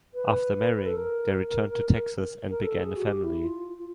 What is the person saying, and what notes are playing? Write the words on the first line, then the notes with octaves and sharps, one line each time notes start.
After marrying, they returned to Texas and began a family.
B4
A4
A#4
A#4
A4
G#4
F#4
G4
E4
F4
F4